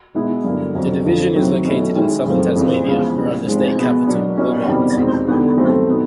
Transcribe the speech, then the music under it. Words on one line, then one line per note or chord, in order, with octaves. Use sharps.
The division is located in southern Tasmania around the state capital, Hobart.
B2 G#3 B3 E4
G2 D3 F#3 A#3
F2 D3 F#3
F2 D3 F3
D#3 F#3 A3 C4 E4
B2 F#3 A3 C#4 E4
D#3 G#3 C#4 E4
F#2 C#3 F3 A3 C4
F2 C#3 E3 G3 C4
C#3 F3 G#3 B3
C#3 E3 G3
G#2 F3 G#3 C4
B2 G#3 B3
B2 F#3 A#3 D4
B2 G3 A#3 C#4 E4
F2 C3 D#3 G3 B3
E2 B2 G#3 C4 D#4
D3 G3 B3 D#4
G2 D#3 F#3 A3 C4
B2 G3 B3 D#4